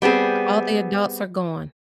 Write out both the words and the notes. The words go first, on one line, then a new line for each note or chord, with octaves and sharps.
All the adults are gone.
G3 B3 C4 G#4